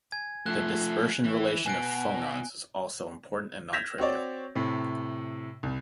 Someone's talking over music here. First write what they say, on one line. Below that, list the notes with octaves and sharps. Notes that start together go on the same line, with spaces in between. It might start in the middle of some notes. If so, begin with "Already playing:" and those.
The dispersion relation of phonons is also important and non-trivial.
G#5 G#6
F3 A3 F#6
E3
B2 G#5 F#6 D7
G6 G#6 A#6 B6 E7 F7
C4 F#4 C#5 D5
A2 C3
C2